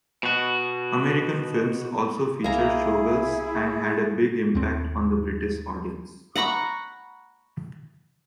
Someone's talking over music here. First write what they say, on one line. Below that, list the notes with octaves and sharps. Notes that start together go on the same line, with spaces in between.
American films also featured showgirls and had a big impact on the British audience.
B2 F#4
C2 A#3 E4 G#4 A#5
D#2 C4
F#5 A#5 B5 C#6